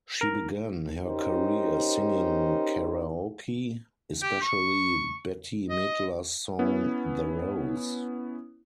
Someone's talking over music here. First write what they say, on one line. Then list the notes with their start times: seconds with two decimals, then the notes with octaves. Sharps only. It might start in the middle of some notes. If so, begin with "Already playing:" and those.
She began her career singing karaoke, especially Bette Midler's song "The Rose".
0.21 A#4
1.05 C#4 D#4 G4 A#4 C5
4.22 G4
4.42 C#6
5.70 D#5
6.59 B3 C#4 E4